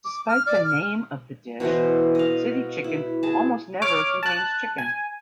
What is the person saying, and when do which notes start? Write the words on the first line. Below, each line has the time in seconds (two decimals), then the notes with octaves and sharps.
Despite the name of the dish, city chicken almost never contains chicken.
0.05 D6
0.28 F6
0.46 D5
0.64 F6
1.60 B2 E3 C5 D#5
2.15 D#5 F5
2.84 E4
3.23 G#4 A5
3.82 C#5 D6 F6
4.23 A5 F#6
4.78 G#5